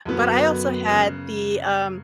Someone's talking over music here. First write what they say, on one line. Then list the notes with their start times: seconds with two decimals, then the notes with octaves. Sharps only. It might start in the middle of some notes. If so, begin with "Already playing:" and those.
but I also had the, um
0.06 F#2 D3 F#3 B3
0.90 C#3